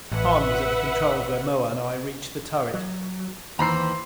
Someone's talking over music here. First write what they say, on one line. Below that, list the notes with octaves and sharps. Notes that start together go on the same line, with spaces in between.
Hahn was at the controls when Moa and I reached the turret.
A1 B4 E5 F#5
F#3
D#2 E3 C5 A#5 B5 C7